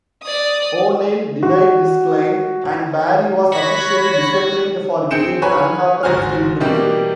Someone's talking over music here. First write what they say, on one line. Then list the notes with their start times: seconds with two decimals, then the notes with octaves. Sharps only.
O'Neill denied this claim and Barry was officially disciplined for giving an unauthorised interview.
0.23 D5 D#6
1.43 F#4
3.53 F#4 C#5 B5 A#6 B6
5.11 C4 G#4 G6 C#7 D7 E7
5.42 B4 C#5 G#5 A#5 B5
6.03 G1 G#2 F#4 C5 G#5 F6
6.60 B2 E3 G3 A#3 D#4 G4